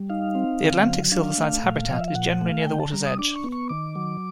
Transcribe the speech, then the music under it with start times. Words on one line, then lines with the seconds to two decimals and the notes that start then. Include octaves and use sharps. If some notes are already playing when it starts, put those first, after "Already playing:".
The Atlantic silverside's habitat is generally near the water's edge.
Already playing: G3
0.10 D#4 F5
0.35 C4
0.61 D3
0.87 F#3
1.12 D4 F5
1.38 A3
1.64 A#2
1.90 F3 D#5
2.00 E5
2.08 F5
2.15 A#2 F#5
2.32 F#5
2.41 A3
2.49 F5
2.60 G#5
2.66 D3 G5
2.80 A5
2.92 G3 A#5
3.06 D#6
3.18 D4 D6
3.36 C#6
3.44 B3
3.52 C#6
3.69 D#3 D6
3.95 F#3